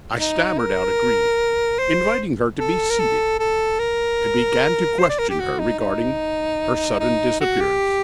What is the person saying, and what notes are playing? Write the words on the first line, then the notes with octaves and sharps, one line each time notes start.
I stammered out a greeting, invited her to be seated, and began to question her regarding her sudden disappearance.
D#4
A#4
C5
A4
A#4
A4
A4
A#4
C5
D5
A#4
G4
F#4
D#4
D#4
D#4
F#4
G4